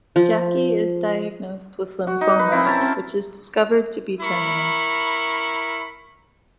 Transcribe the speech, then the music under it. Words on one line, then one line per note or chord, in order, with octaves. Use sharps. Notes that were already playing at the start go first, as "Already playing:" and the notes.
Jackie is diagnosed with lymphoma, which is discovered to be terminal.
F3
F#4
D#4
B4
C4 E4
C#4 A5 A#5
C4
E4 A#4 B5 C#6